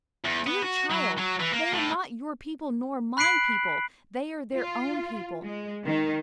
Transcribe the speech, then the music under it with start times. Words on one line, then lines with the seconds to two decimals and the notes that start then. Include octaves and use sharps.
Dear child, they are not your people nor my people; they are their own people.
0.25 E2
0.47 B3
0.63 F#4
0.90 F#3
1.18 F#3
1.40 E3
1.53 A#3
1.73 A2
3.17 B5 F#6 B6 C7 D7 F#7
4.56 F4
5.43 G#3
5.85 D#3